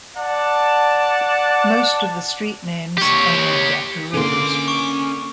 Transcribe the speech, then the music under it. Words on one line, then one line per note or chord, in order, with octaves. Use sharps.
Most of the street names are named after rivers.
D5 F#5 A5
G4 C#5
D3 A#3 C#4 C6 D6
C#6